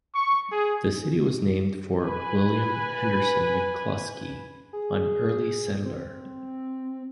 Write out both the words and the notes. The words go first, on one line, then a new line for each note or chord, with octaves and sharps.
The city was named for William Henderson McClusky, an early settler.
C#6
G#4
B4 G#5 B5
G#4
C4